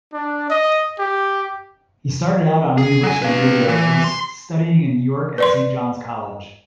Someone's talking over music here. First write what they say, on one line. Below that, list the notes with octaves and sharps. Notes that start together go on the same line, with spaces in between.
He started out on university radio whilst studying in York at Saint John's College.
D4
D#5
G4
G#4
F#3 G#5
B4 F5
E3
C6
B4 D5 C6